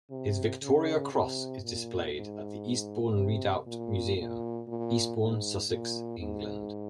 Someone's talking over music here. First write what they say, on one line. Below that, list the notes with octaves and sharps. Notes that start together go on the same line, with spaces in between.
His Victoria Cross is displayed at the Eastbourne Redoubt Museum, Eastbourne, Sussex, England.
C3
C#3
C3
A#2
G#2
C3
A#2
A#2
A#2
G#2
A#2
G#2